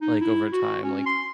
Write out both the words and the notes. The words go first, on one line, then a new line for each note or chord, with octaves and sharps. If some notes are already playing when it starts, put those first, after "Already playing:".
Like, over time, like,
D#4
E4
F#4
C#4
C6